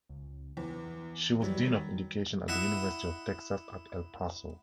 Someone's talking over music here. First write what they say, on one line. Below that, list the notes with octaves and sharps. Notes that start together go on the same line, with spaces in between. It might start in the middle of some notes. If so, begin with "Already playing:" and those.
She was dean of education at the University of Texas at El Paso.
C#2
E2 E3
F#3 G3
D#3
E4 D#5 F#5